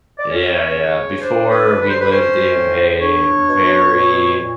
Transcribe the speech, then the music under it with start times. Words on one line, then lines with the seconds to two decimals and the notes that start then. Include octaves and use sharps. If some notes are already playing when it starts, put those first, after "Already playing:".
Yeah, yeah, before, we lived in a very,
0.18 D5
0.30 C#4 C#5
0.75 C#3
1.20 D4 C5
1.49 B4
1.65 D3
1.80 B4
1.89 C5
2.00 B4
2.10 C#4 C5
2.55 A2
3.00 D4 C#5
3.45 B2
3.91 A#2
4.36 A#2